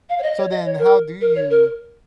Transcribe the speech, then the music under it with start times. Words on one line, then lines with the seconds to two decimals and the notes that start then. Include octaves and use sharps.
So then how do you
0.09 F5
0.19 C#5
0.23 D#5
0.38 C#5
0.51 D#5
0.66 C#5
0.79 A#4
1.21 A#4
1.35 C#5
1.50 A#4